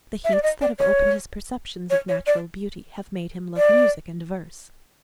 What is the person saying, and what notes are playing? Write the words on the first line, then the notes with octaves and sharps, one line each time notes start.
The heats that have opened his perceptions of natural beauty have made him love music and verse.
E5
D5
D#5
D5
C#5
C#5
C#5
D5
D5